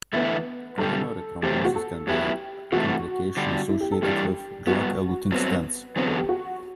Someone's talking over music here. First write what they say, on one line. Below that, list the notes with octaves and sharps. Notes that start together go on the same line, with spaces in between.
Coronary thrombosis can be a complication associated with drug-eluting stents.
E2 D3 A3 B3 E4
F#2 D3 G3 A4
E2 C3 F#3 A3 C4 G4
G4
F#4
A4
F#2 F#3 B3 E4 G4
C3 E3 A3 F#4
D3 G3 D4
E4
G4
A4
G2 E3 G3 D4 G4
G2 F#3 B3 F#4
G2 F#3 B3 C4
E2 D3 F#3 B3 C4
A4
G4
F#4